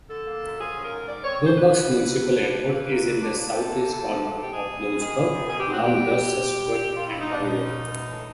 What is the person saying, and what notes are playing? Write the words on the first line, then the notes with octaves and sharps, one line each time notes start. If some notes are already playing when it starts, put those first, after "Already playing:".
Bloomsburg Municipal Airport is in the southeast corner of Bloomsburg, along the Susquehanna River.
D3 A4
A#3
F#2
F3 G#4
C#4
A#4
G#2
D#3 D5
C4 C#5
G#2
C5
D3 B4
A#3
F2
F#3
D4
A2
D3
A#3
F#2
F#3
D4
A#2
C3 A4
A#3
E2
F3
D4
A2
G4
F#3 G#4
B2
B2
D#3 G#4
B3
F#2
B2 G#4
C4 G4
F#4
E2 G4
G3
D4
A#2
G3
B2
B2
F#3 F4
B2 E4
D#4
B2 D4
F3 D#4
C#4
G#2
E3
A2